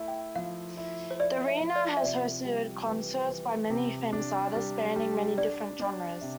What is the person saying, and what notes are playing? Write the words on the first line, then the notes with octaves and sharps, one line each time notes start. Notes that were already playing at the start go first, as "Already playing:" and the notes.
The arena has hosted concerts by many famous artists, spanning many different genres.
Already playing: A3 E4
G5
F3 F5
E4
C5
E4 D5
E5
F3
D5
E5
C3 D5
G3
E3
E3
C3
D4
G3
G3
D4 D5
D4
C3 E5